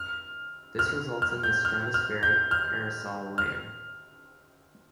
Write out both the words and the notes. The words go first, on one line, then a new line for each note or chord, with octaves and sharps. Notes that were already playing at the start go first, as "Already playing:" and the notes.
This results in the stratospheric aerosol layer.
Already playing: F6
F6
F6
G6
F6
F6
G6
F6
F6